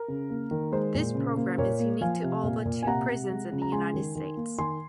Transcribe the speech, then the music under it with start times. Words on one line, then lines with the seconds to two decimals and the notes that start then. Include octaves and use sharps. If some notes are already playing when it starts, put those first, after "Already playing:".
This program is unique to all but two prisons in the United States.
Already playing: A#4
0.08 C#3
0.30 A#3
0.51 D#3
0.72 G#3 C5
0.95 A#2
1.15 C#3
1.37 A#3
1.58 A#2 A#4 C#5
1.79 A#3
2.01 F3 F5 G#5
2.23 C3
2.43 A#2
2.65 A#2
2.83 G#5
2.86 C3 F#5 A#5
3.08 C3
3.30 G#3
3.52 C#3
3.62 A#5
3.72 G#3 G#5 C6
3.94 D#3
4.15 D#3
4.36 A#3
4.58 D#3 G#5 C6